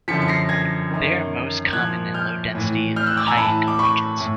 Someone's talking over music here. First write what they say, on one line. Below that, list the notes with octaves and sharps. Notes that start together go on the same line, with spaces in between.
They are most common in low-density, high-income regions.
F#2 D3 F3 B6 C#7
C#7
A#6 C7
G#6 A#6
F#2 D#3
A#2 F3 F#6 G#6
F6 G6
A2 E3
F6 G6
E6 F#6
D6 E6
G#5 A#5
A2 E3 A5 B5
D6
B5 C#6
A2